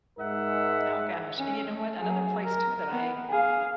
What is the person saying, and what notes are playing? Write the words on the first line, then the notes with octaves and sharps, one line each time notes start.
Oh gosh, and you know what, another place too that I
G#2 G#3 D#4 A#4 E5 F#5
C#4
A3
F#3 G#4
A#4
B3
G#4 F5